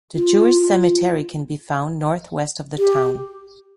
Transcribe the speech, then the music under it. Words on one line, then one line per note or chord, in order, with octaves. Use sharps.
The Jewish cemetery can be found north-west of the town.
F4
F4
G4